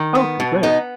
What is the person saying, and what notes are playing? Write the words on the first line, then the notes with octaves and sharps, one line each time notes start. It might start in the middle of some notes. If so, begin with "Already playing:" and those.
Okay, great.
Already playing: D#3
B3
B2
B3 D#4